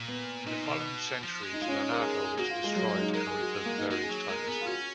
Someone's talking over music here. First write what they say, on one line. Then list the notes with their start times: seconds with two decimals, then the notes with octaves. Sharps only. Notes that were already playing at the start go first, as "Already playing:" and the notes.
In the following centuries Lonato was destroyed and rebuilt various times.
Already playing: A#2
0.08 B3
0.46 A#2 D#4
0.66 B2
1.23 F3
1.43 G#3
1.53 D#4
1.61 G#3 F4
1.68 C#4
1.74 D#4
1.91 A#4
2.00 G#4
2.12 G#4
2.25 G#4
2.38 A#3 F#4
2.50 F4
2.64 G#3
2.76 F#3
2.89 G#3
3.01 D#4
3.14 G#3 A#4
3.27 G#4
3.40 F#4
3.66 A#3
3.78 D#4
3.91 G#3 F#4
4.03 G#4
4.10 F#3
4.29 G#3 A#4
4.43 A#4
4.48 B3 G#4
4.61 F4
4.67 C#4 F#4